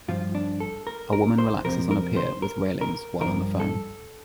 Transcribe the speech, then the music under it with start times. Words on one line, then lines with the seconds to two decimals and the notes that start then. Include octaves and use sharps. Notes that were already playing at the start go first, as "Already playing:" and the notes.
A woman relaxes on a pier with railings while on the phone.
0.08 G2 F3 F4
0.35 D4
0.60 A4
0.87 A#4
1.13 A#4
1.38 C5
1.65 F2 C3 F3 A#4
1.91 A#4
2.17 C5
2.42 A#4
2.81 A#4
3.21 G2 F3 A#4
3.60 A4